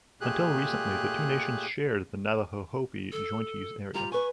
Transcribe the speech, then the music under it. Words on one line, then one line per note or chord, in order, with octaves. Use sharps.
Until recently, the two nations shared the Navajo-Hopi Joint Use Area.
A#2 A3 G4 G#4 F#6
A4
G3 F4 G4 A#5
B4 G#5 C#6